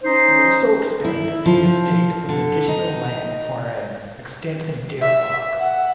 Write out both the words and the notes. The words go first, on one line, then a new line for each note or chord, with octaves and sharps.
He also expanded the estate with additional land for an extensive deer park.
C#4 D#4 C5
E4
F3
D3
D#4
E5
F#5